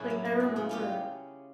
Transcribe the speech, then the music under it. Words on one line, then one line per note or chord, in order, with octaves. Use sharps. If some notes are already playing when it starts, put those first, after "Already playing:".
Like, I remember
Already playing: F#2 A2 C#3 C#4 E4 F#4
F#3
F#3
F#2
C#3
C#4 F4 G4